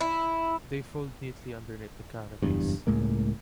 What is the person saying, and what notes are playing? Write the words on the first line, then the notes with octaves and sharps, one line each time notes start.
They fold neatly underneath the carapace.
E4
F#1 E2 G2
C#2 A2 G#3 A#3